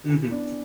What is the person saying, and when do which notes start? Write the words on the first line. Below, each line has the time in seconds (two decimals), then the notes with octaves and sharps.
Mhm. T
0.09 E3
0.31 B3 D4